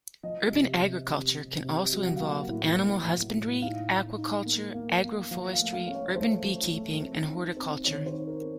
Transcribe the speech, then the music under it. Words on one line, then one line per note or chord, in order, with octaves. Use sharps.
Urban agriculture can also involve animal husbandry, aquaculture, agroforestry, urban beekeeping, and horticulture.
F3 D#5
C3
C3
C3
C3
C3
F#3
F#5
A#3 F5
F#5
A2
A2
A2
A2
D#4 F5
D#4
D#4
A#3
A#3
A#3
F3 F5
F5
A3
F5
C#4
C#5
A3 C5
F3
A3
C4
D#4
C4
D#3 C#5
C5
D#4
A#4
C4